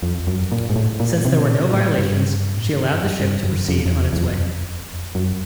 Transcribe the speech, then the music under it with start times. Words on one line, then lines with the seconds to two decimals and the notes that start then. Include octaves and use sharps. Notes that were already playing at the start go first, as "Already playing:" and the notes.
Since there were no violations, she allowed the ship to proceed on its way.
0.03 F2
0.27 F#2
0.52 A#2
0.70 G#2
0.76 A2
1.00 A#2
1.25 C3
1.38 B2
1.49 A#2
1.73 A2
1.99 G2
2.57 A2
2.70 G#2
2.83 G2
2.95 F#2
3.20 G2
3.44 F#2
3.68 F2
3.86 F2
3.94 E2
4.13 E2
4.17 F2
4.31 F#2
4.42 F2
5.15 F#2